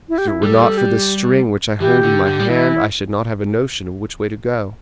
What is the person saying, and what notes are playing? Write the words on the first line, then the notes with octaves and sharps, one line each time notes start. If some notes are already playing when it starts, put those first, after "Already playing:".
"If it were not for this string which I hold in my hand I should not have a notion which way to go."
E4
G4
E4
G3 A4
G4
E3 G4
D3
D3
G3
E3 E4